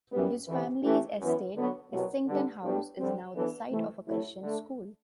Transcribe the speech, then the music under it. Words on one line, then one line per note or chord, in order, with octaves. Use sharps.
His family's estate "Essington House" is now the site of a Christian school.
F#2 E3 G3 B3
D2 C3 E3
E3 A3 E4 G4
F#2 E3 B3
D3 F#3 B3 F#4
C2 B2 F#3
D3 G3 B3 D4
A2 G3 B3 D4 G4
D3 G3 C4
E3 B3 D4 A4
C3 E3 A3
D2 C3 F#3 A3 E4
D3 A3 D4